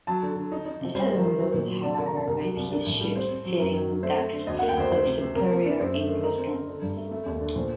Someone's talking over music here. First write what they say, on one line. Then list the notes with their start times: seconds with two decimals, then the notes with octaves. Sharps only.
A sudden lull however made his ships sitting ducks for the superior English guns.
0.07 F#3 A5
0.23 D3
0.36 D3
0.52 D#4
0.65 D#4
0.81 C3
0.95 G3 C5
1.09 D#3
1.17 A#4
1.25 D#3
1.39 F#3 C5
1.54 A#2
1.69 F#3
1.83 C3 D5
1.94 A5
1.98 D#3
2.06 A#5
2.13 C3 A5
2.27 C2 A#4
2.42 F#3
2.57 C2
2.71 D4 A#4
2.87 A2
3.01 G3
3.16 C4 C5
3.30 C4
3.45 F#3
3.59 F#2 A#4
3.74 F#3
3.88 F#3
4.03 A3 C5
4.18 C4
4.33 D3
4.47 D2 D#5
4.59 F#5
4.62 A#3
4.69 G5
4.77 D2 C5
4.91 D2 C5
5.06 C3
5.21 C3
5.35 C3 A#4
5.50 A#3
5.65 D4
5.79 F#2 C5
5.94 A3
6.09 D#3
6.23 D#4 A#4
6.38 C4
6.52 C4
6.67 D3
6.82 G2
6.96 A3
7.11 A3
7.26 D#2
7.40 D3
7.56 A#2 C5